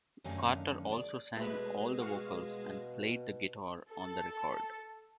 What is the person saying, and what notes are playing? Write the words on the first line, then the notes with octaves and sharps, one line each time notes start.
Carter also sang all the vocals and played the guitar on the record.
F#2 D3 D#3 A3 F5 G#5
G#4 D5
B2 G#3 A3 B4
F#4 F5
A4